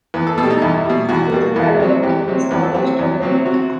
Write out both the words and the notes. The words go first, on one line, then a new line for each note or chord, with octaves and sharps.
He was a fellow of King's College, Cambridge.
E2 B4
A4
B2 A4
G3
D#4
E2 E4
B2 G3
E2 F#4
B2 G3
E2
C3 F#3 C4
E2 G4
C3 F#3 C4
E2 B4
A4
C3 F#3 C4 G4
E2
C3 F#3 C4
C3 F#4